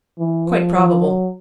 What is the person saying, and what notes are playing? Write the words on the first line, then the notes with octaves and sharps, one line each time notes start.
"Quite probable."
E3
F3
F3
F#3